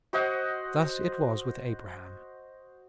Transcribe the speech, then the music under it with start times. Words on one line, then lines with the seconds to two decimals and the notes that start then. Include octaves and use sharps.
Thus it was with Abraham.
0.13 F#4 C5 D#5 F#5